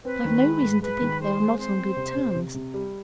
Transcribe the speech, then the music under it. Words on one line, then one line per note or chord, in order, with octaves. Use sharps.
But I've no reason to think they are not on good terms.
C4 B4
D#3
G#3
G#2
G#3 B4
D#3
G#3 C5
G#3
C4 C5
C4
C3
C3
C3
C3
G3